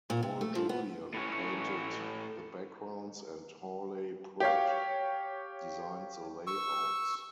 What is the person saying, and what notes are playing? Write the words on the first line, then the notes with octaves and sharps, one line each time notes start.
Paul Julian painted the backgrounds and Hawley Pratt designed the layouts.
A#2
C3
A3
F3
B3
A2 C#4
G4 C#5 F5
C#6 E6